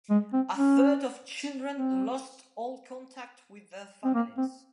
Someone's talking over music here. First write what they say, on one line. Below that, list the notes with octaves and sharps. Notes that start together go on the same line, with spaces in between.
A third of children lost all contact with their families.
G#3
C4
C#4
C4
C4
A#3
C4